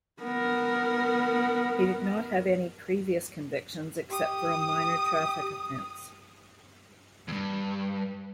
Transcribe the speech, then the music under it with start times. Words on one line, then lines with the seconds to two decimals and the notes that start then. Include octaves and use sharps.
He did not have any previous convictions except for a minor traffic offence.
0.21 B3 A#4
4.11 G4 D#6
7.28 E2 G2